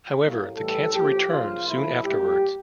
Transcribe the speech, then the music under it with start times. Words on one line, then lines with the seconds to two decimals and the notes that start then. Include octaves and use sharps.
However, the cancer returned soon afterwards.
0.19 A2 G3 A#3
0.56 A2 E3 G3 A4
0.93 A2 F3 A#3 G4
1.30 C#3 F3 A#3 F4
1.67 A#2 F3 A3 E4
2.05 A2 G3 A#3 G4